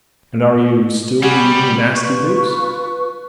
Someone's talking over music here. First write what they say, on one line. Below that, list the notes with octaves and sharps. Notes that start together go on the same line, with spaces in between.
"And are you still reading nasty books?"
G3 C#4 F#4 G#4 B5
F4 B4 C#6